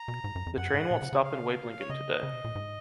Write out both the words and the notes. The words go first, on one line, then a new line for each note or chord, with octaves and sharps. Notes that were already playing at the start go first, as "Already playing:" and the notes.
The train won’t stop in Waiblingen today.
Already playing: A#5
B2
G#2
F#2
F2
F#2 F#5
G#2
A#2
C#3
C#3
F5
C#5
C#3 D#5
C#3
B2
A#2
G#2